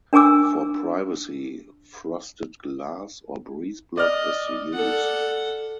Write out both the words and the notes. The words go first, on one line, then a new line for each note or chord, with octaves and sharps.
For privacy, frosted glass or breeze block is used.
D4 A#4 G#5 D6 E6
D5 D#5 F6
A4 F#5